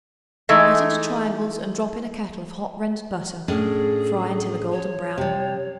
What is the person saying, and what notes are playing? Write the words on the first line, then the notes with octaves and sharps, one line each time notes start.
Cut into triangles and drop in a kettle of hot rendered butter; fry until a golden brown.
E3 G#3 A3 D#4
A2 C#4 D4 G#4
C#5
C3 G3